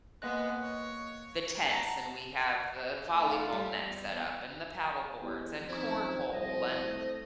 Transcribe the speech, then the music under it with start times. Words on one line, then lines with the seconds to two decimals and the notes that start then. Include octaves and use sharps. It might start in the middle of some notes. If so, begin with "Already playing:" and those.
the tents and we have the volleyball net set up, and the paddle boards, and cornhole, and,
0.22 G#3 A#3 B3 D#5 F#6
0.62 C#5
1.70 F#5 A5 A#5
3.10 A3 D#4 F4 F#5
3.52 G3 E5
3.81 E2 B3
5.21 E2 G#3 G4
5.68 F2 C#4 D#4 E4 C5
6.34 C2 B2 F3 D#5
6.84 A3